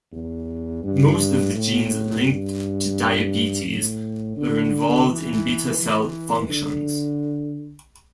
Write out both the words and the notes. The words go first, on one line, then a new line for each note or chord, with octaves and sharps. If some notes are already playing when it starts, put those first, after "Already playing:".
Most of the genes linked to diabetes are involved in beta cell functions.
E2
G2
A2
G2
A2
D3
E3
E3
D3